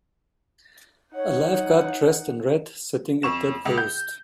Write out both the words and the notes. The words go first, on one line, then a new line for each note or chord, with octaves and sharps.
A lifeguard dressed in red sitting at their post.
D#4 C#5 F#5
F2 C#6 E7
C#2
G6